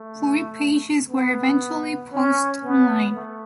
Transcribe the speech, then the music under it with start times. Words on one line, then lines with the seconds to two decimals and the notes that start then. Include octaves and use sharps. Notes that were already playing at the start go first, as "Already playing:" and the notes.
Forty pages were eventually posted online.
Already playing: A3
1.09 B3
2.12 C#4
2.63 B3
3.14 A3